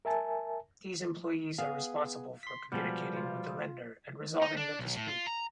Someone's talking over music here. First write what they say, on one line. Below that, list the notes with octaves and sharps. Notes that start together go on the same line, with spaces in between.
These employees are responsible for communicating with the lender and resolving the dispute.
A#4 E5 G#5 A5
B3 G#4 F5
C6 B6
B2 F3 G3 G#3 F#5
F4
D#4
D4
B1
A2
F4
A#5